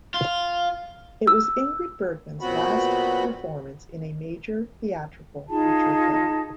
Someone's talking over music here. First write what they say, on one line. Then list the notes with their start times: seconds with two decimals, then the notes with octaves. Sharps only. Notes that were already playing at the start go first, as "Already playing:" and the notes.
It was Ingrid Bergman's last performance in a major theatrical feature film.
0.14 F4
1.27 E6
2.41 A#2 F#3 B3 C4 F#4 B5
5.48 D#4 F4 G#4 A5